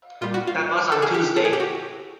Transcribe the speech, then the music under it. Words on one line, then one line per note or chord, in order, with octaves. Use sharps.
That was on Tuesday.
A#2 G3 F4
F#4
F4
A4
G#4
G4
A4
G#4
G4
F#4